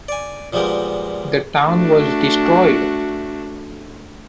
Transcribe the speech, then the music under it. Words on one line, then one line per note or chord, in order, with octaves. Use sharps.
The town was destroyed.
D5 G#5
A#2 F3 G3 G#3 B3 A#4
A3 D4 F#4